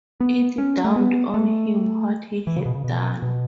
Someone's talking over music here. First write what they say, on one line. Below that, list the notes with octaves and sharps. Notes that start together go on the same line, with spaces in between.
It dawned on him what he had done.
B3
C#4
A3
B3
A3
E3
C#3
B2
C#3
B2
B2